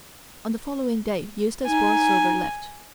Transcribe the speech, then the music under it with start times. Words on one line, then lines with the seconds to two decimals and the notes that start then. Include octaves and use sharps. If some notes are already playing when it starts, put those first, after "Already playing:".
On the following day Eustace Borlsover left.
1.67 D#4 G#5